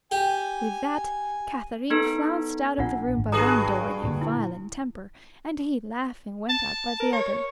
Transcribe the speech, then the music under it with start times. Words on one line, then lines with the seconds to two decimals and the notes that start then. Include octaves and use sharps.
With that, Katharine flounced out of the room by one door in a violent temper, and he, laughing, went out by the other.
0.11 G4 G#5
1.90 B3 D#4 A4
2.78 A#1 D4 F4 F#5
3.16 G#1
3.32 G2 F#4 G#4 B4 A#5 D#6
4.04 A#2 D3 A#3
4.21 E4
6.49 A5
7.00 A#4
7.13 C#5